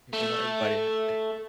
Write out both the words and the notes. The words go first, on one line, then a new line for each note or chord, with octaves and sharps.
If You know, everybody has to
A3